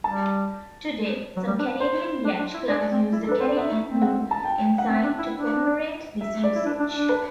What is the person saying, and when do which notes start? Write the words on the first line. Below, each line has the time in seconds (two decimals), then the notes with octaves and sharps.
Today, some Canadian yacht clubs use the Canadian Blue Ensign to commemorate this usage.
0.04 G3 A5
1.36 F#3
1.47 G3
1.59 D4
1.80 C5
2.25 D4
2.39 D4
2.54 E4
2.69 D4 D5
2.91 C4
3.12 E4
3.24 A4
3.28 D4
3.32 B4
3.40 C4 C5
3.48 D5
3.57 B3 E5
3.72 A3
3.86 C4
4.02 F#5
4.31 A5
4.44 G5
4.78 F#5
4.89 C4 E5
5.04 D4
5.19 E4
5.33 D4
6.21 E5
6.44 D5
6.55 E4
6.65 D4
6.80 D4
6.95 D4
7.09 B4